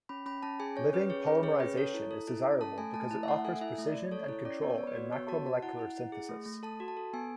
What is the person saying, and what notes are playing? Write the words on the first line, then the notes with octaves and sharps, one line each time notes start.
Living polymerization is desirable because it offers precision and control in macromolecular synthesis.
C#4 B5
C#4 B5
C#4 A5
G#4 G#5
C#4 C#5
C#4 B4
G#4 C#5
C#4 B4
G#4 C#5
C#4 B4
A4 C#5
E4
A4
E4
C#4
A4 A5
A3 G#5
A3 A5
E4 A5
E5
A3 F#5
A4 G#5
E4 E5
A3
D5
A3
A4 C#5
E4 C#5
C#4 D5
B3 C#5
D5
B3 C#5
B4
F#4
B3 C#5
F#4 A5
F#4 A5
E4 F#5
E4
E4
G#4
A3
A3
A4 A5
F#4
A5
A4
B3 G#5